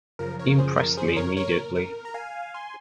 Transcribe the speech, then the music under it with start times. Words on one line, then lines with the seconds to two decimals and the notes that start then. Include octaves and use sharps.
He impressed me immediately.
0.19 F#2 C#3 F3 A#4
0.39 A#4 C#5
0.58 G#4 C5
0.77 A#4
0.97 G#4 C5
1.16 A#4 C#5
1.37 A#4 C#5
1.56 A#4
1.75 A#4
2.05 A#5
2.14 F5 G#5
2.54 G#5 C6